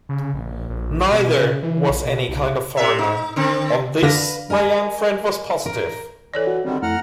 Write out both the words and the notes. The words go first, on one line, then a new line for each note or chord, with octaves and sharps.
Neither was any kind of foreigner; on this my young friend was positive.
C#3
A#1
A#1
B2
C#3
E3
A#1
B2
C2
C3 E5
D#4
D3 C4
D3 D4 B4 F5 A#6
A#4 D#5 G#5
A#4
E3 A4 C#5 D5
F#4
D3 D#3 G3 C4
F2 A3 E4 F#5 A#5 F6